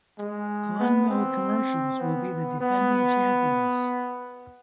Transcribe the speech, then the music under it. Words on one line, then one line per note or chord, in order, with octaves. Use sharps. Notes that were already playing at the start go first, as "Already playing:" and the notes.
Clonmel Commercials will be the defending champions.
G#3
B3
C4
B3
B3